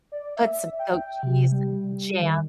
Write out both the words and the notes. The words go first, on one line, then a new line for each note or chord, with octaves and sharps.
Put some goat cheese and jam.
D5
E5
G5
C3
G3
D#3